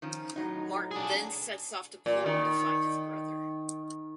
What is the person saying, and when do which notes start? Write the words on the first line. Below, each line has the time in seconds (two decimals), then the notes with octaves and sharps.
Martin then sets off to Poland to find his brother.
0.02 D#3 F3 C#4
0.36 A2 F#3 D#4
0.91 D4 G#4
2.06 A#2
2.26 D#3